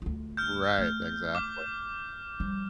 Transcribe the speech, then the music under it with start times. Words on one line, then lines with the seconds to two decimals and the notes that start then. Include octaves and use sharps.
Right, exactly.
0.02 D2 F4
0.37 F6 G6
0.78 A3
1.35 D6
2.40 F3 G3